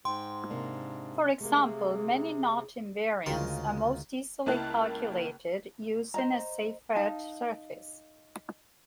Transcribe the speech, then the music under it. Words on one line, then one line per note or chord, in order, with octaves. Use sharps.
For example, many knot invariants are most easily calculated using a Seifert surface.
G#2 G5 C6
C3 A#3 D4
C3 A3 A#3 G#4
D2 C#3 G#3 F4 A#4 C6
C#2 A#3 E4 A5 F#6
C5 D#5 A#5
D#4 F5 A5